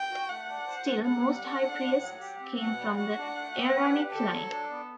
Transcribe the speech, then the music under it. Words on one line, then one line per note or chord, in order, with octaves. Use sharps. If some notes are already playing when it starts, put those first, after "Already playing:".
Still, most high priests came from the Aaronic line.
Already playing: G5
F#4
A3 F#5
D4
C5
A4
C3 F#5
G3
A4
D4
A2
F#3
G4
C4
B2 F#5
G3
F#4 F#5
D4
A3
C4
B4
G4
D3 A4
F#3
D4
B3